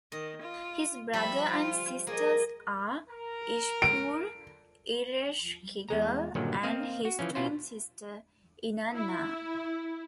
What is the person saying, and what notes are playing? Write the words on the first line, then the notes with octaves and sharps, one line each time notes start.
His brother and sisters are Ishkur, Ereshkigal, and his twin sister Inanna.
D#3 D#5
F4
F3 G3 E5 B5
F4
A#3 G#4 D#5
A#4
D7
E2 G#3 A#5
G2 A#2 D3 D#3 F#3
A#3 C4 D#5 F5
F#4
E3 F3 C#4
B2 E4 F4 C5
E4